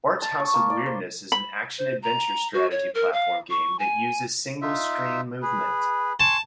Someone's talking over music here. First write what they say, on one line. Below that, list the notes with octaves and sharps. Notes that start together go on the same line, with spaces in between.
"Bart's House of Weirdness" is an action-adventure-strategy platform game that uses single-screen movement.
A5
C#6
A#3
D5
C5
B5
C5
A#5
F#4
C#5
A#4
F5
C#6
G#5
D#4 F4 E5
G#4 B4 B5
G#5 A5 C6 C#6